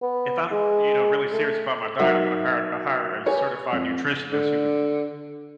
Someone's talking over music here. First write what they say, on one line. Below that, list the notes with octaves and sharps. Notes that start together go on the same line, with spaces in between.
if I'm, you know, really serious about my diet, I'm gonna hire hire a certified nutritionist who,
B3
G#3
A3
F#3 D#4 F#4 A#4 E5 F#5
G4 B4 C#5 G#5
F2
D3